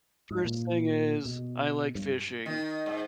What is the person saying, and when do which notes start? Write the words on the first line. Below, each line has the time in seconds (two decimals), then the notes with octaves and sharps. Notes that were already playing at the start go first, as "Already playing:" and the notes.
First thing is I like fishing,
0.31 G#2
0.44 A#2
1.25 B2
1.95 G2
2.46 D#3
2.86 G#2